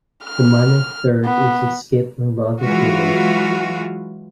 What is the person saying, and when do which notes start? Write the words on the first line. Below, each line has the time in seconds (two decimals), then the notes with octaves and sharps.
The minor third is a skip melodically.
0.24 F6
1.25 B3
2.61 E3 F#3 G#3 F4 F#4